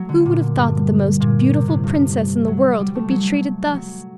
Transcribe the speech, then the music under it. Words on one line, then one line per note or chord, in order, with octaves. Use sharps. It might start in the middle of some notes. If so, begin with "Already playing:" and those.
Who would have thought that the most beautiful Princess in the world would be treated thus?
Already playing: F#3 A3
D3
A#2
G2
A#2
C3
A2
G2
F#3
G3
A3
F#3
F#3